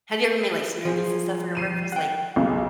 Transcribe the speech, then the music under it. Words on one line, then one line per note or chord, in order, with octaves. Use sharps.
Have you ever made, like, smoothies and stuff for your breakfast, like
F3 G#4
C7 D#7 E7
F#5 G5
B1 C#3